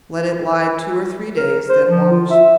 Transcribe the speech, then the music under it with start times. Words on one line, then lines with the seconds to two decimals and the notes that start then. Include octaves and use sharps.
Let it lie two or three days, then wash.
1.37 A#4
1.69 C5
1.88 F3
2.11 F4
2.31 E5